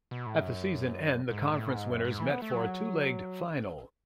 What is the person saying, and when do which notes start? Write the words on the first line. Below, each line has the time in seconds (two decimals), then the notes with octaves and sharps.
At the season end, the conference winners met for a two-legged final.
0.11 B2
0.26 A2
0.41 F#2
1.31 G#2
1.53 A2
1.75 G#2
1.90 F#2
2.05 G#2
2.20 E3
2.31 B3
2.42 A3
2.54 F#3